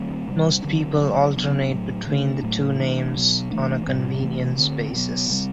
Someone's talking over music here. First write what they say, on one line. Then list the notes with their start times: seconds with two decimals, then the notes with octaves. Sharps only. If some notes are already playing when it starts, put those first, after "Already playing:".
Most people alternate between the two names on a convenience basis.
Already playing: D3 F#3 A3 C4
0.28 C3 G3 D4
0.64 D3 F#3 C4
0.99 D3 F#3 A3
1.36 C3 F#3 B3 D4
1.71 A2 F#3 A3
2.07 D3 A3 D4
2.43 A2 F#3 A3
2.80 E3 A3 D4
3.15 B2 F#3 B3
3.51 E3 A3 D4
3.86 A2 G3 C4
4.22 C3 E3 A3
4.58 D3 A3 C4
4.94 B2 F#3 B3
5.30 C3 G3 C4